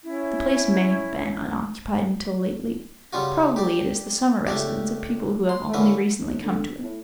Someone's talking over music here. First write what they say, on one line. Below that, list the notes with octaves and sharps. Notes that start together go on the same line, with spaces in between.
The place may have been unoccupied until lately--probably it is the summer residence of people who have only recently come to it.
C#4 E4
C#3 G3 C#4 F4 F#4
D4 G4
C#2 A3 D4 G4
C6
D3 E3 A#3 C#4 B4
D#2
D3
A2